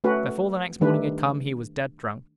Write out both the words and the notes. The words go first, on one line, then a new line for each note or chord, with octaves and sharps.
Before the next morning had come he was dead drunk!
A3 C#4 F#4 B4
D#3 G3 A3 D4 B4